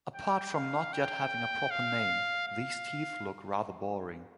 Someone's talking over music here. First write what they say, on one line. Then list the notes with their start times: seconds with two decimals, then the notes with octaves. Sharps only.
Apart from not yet having a proper name, these teeth look rather boring.
0.15 G5
0.54 F5
0.93 G5
1.71 F5
2.48 F5